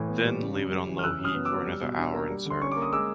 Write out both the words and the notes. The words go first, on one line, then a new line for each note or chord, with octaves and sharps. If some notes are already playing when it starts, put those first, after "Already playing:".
Then leave it on low heat for another hour and serve.
Already playing: A2 E3
B3
G3
C#3
F#2
G3
E3
F6
C#3 E6 F#6
F#2
D#6 F6
B3
D6 E6
F#3
G3
B2
D4
A#3
G3
D3 C6
C#4 C#6
A#3 D6
D#6
G#3 D6 E6